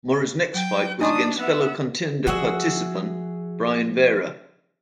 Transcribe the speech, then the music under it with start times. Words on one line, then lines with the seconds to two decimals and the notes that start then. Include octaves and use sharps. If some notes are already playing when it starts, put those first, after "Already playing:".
Mora's next fight was against fellow Contender participant Brian Vera.
0.54 F#3 G5
1.01 D4 D#4 G#5 C6 C#6 D#6
1.40 B3 E5 F#5
2.27 F3 F#4 G#4 E5